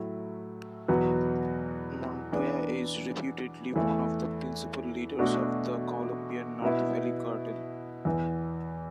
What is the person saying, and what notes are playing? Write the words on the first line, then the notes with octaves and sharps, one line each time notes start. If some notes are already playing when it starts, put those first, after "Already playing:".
Montoya is reputedly one of the principal leaders of the Colombian North Valley cartel.
Already playing: A2 F#3 A3 E4
E2 B2 F#3 B3
E3 B3 D4
E2 E3 A3
B2 A3 D4 F#4
B2 B3 E4
E2 E3 B3